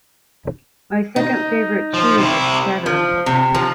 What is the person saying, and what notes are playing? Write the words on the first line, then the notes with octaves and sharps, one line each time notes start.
My second favourite cheese is cheddar.
D#4
F3
C3 E4
F3
C3
F3